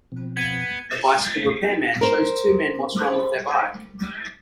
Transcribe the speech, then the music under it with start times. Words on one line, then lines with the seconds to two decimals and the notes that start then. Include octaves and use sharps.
A bicycle repairman shows two men what was wrong with their bike.
0.12 B2 F3 C4
0.37 B3 G#6 D#7
2.01 A#4 C5